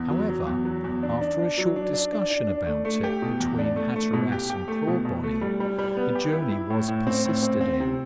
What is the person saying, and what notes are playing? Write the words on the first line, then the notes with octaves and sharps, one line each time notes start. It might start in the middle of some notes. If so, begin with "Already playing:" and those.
However, after a short discussion about it between Hatteras and Clawbonny, the journey was persisted in.
Already playing: E2
F#3
F#3
E2
F#3
E2
D4
D4
D4
F#3
D4
D4
D4
D4
D4
A3
A3
G4
B2
E2
D4
A3
A3
B2
G4
G4
A3
B2
B2
A3
G3
G3
G3
B3
G4
E4
E4
A2
A2
C4
A2
C4
C4
C3